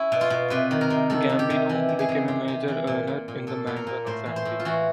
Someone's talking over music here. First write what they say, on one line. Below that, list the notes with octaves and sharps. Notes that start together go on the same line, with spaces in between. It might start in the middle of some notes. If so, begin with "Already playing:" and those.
Gambino became a major earner in the Mangano family.
Already playing: C#4 E4
B2
F4
B2
C3 B4
D#3
A#4
C3
D#3 A4
D#3
G4
C3
E3
C3
G#4
C3
C3
C3
E3
A#2
A#2
A#2
A#2 A4
A#2
A#4
A#2
A2 C5
E3
C5
A2
F4
E3 F#4